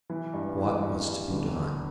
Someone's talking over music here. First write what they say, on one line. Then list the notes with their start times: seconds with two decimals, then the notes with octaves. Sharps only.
What was to be done?
0.10 E3
0.33 G2
0.58 E3
0.83 G2
1.06 G2
1.31 G1
1.55 G1